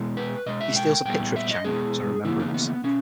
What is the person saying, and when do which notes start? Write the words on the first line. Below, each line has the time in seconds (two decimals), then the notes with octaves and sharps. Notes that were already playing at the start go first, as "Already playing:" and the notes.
He steals a picture of Chang as a remembrance.
Already playing: B2 G#3 B3
0.17 B4
0.46 B2 G#3 D#5
0.61 E5
0.76 G5
1.05 A#2 G3 B3 G5
1.36 E5
1.51 D#5
1.65 B2 G#3 B3 G#4
2.25 C#3 E3 A#3 E4
2.40 D#4
2.54 B3
2.84 B2 C#4